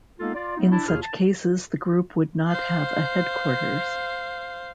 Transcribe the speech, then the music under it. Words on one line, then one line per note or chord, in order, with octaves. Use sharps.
In such cases the group would not have a headquarters.
G#3 A#3 B3 D#4 F4 A4
F4 D5
F#3 G3 A3 B3 D#4
D4 E4
D#2 B2 E4 F4 G#4 F6
A5
C5 F5